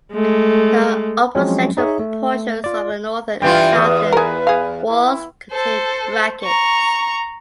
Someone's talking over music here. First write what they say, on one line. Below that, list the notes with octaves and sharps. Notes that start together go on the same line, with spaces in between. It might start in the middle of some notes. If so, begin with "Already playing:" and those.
The upper central portions of the northern and southern walls contain brackets.
G#3 A3
F3 F#3 G#3 C4 C#4
D#4 G#4 C#5 E5
A3
F4 D5
G2 E3 F4 G5
E2 D#6
G#4 A#4 B4
G#4 F5
E4
A4 C5
A#5 C#6